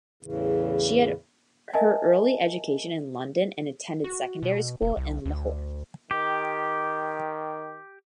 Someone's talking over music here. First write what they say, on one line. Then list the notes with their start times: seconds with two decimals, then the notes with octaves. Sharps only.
She had her early education in London and attended secondary school in Lahore.
0.23 E2 A2 C#3 E3
1.73 A#4 D#5 E5 G#5 A5
4.04 F#4
4.43 B2
4.82 E1
4.97 C2
5.26 D2
6.11 D#3 G4